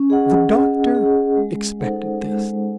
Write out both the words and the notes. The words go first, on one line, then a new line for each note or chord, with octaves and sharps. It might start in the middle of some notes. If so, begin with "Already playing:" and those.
The doctor expected this.
Already playing: C#4
G#4 D#5 F#5
C#4
G#4 D#5 F#5
G#3
D#4 A4 C5 F#5
G#3